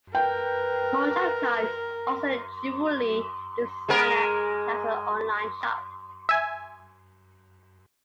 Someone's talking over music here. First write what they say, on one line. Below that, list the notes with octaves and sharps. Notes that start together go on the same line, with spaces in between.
Cojocar is also a jewelry designer and has an online shop.
A#4 B4 G5
G#3 A#4
E5 G#5